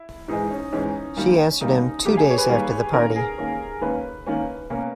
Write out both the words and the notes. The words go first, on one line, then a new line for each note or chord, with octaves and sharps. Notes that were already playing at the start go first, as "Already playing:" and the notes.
She answered him two days after the party.
Already playing: E4
G#2 E3 G#3 D#4
C#4
G#2 E3 G#3 C#4
D#3 G3 A#3
D#3 G3 A#3 D#4
D#3 G3 A#3 G4
G#4
C#5
B4
D#3 G3 A#3
D#3 A#3 C#4 A#4
G#4
D#3 A#3 C#4
D#3 A#3 C#4 B4
D#3 A#3 C#4
B2 A#3 C#4